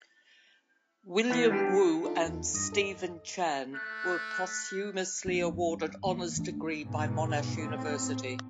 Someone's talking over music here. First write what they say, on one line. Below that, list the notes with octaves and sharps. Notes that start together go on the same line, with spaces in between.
William Wu and Steven Chan were posthumously awarded honours degrees by Monash University.
E3 B3
G3 D4 G4
D4 D#4 F4 A4
E2
G2 D#6 A#6
A4 D#5
A3 F#6
F3 A#3 C4 D4
G2
E3 A#3
E3 A3 A#3 D4
G#2 B2
A2 C4